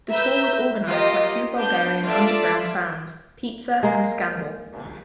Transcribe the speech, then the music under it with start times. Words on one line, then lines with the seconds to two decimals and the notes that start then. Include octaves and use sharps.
The tour was organized by two Bulgarian underground bands - Pizza and Scandal.
0.10 B4 E5 A#5 E6 G6
0.86 A#3 F4 G4 D#5
1.55 B3 D4 G6
2.03 F4 A4 D5 E5 A5
3.83 G#3 A#3